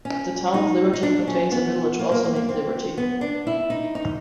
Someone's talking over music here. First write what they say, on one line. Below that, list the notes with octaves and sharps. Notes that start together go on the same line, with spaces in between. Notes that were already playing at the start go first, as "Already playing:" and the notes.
The Town of Liberty contains a village also named Liberty.
C#4
D#4
D#4
D4
C#4
B3
A#3
A#3
A#3
A#3
C4
B3
D4
E4
D#4
D#4